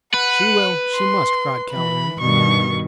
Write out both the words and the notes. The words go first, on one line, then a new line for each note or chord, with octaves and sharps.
"She will, she must," cried Calhoun.
B4 F#5
C6
E3 B5
G2 B2 D#3 C#6